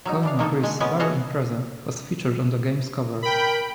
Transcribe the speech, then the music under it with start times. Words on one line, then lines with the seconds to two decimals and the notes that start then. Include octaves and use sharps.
Colin McRae's Subaru Impreza was featured on the game's cover.
0.05 F#3 D#4
0.23 E3 D4 F5
0.39 D#3 A#3 D#4 A4
0.63 G#3 F#5
0.80 G#3 B3 C#4 G#5
1.00 F#4 G#4 A4 D#5 F5 F#5
3.22 A#4 G5 B5